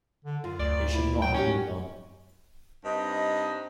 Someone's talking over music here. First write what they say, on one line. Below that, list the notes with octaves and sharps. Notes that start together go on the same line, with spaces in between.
It should not have been done.
D3
F#2 F4
D2 D5
E4
F#3 G5
A#3 C#4 F#4 G4
G2 C4 D#4 D#5